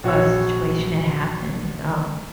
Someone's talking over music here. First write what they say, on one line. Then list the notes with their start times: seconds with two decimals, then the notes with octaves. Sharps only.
uh, situation that happened, um,
0.04 A#1 F#4 C#5 E6